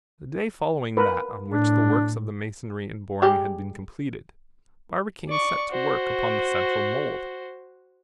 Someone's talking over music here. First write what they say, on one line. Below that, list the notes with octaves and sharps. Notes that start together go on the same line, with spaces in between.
The day following that on which the works of the masonry and boring had been completed, Barbicane set to work upon the central mould.
A#4 B4
A2 D4
G3 G#3 G4
D5 C#6
F#4 C5